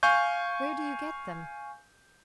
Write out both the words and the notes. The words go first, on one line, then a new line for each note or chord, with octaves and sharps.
"Where do you get them?"
F5 G#5 C#6 G6